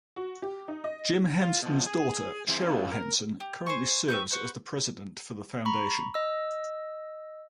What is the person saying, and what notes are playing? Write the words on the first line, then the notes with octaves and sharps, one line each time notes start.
Jim Henson's daughter Cheryl Henson currently serves as the president for the Foundation.
F#4
G4
D#4
D#5
F4
B2 F3
G#4
E3 C4 G#4 C5
C#4 F4 B4
A#4
G4
C5 G#5 C#6
C4 B4 C#6 G6
F#4 B4 C5
A#5 B5 C#6
D#5 E6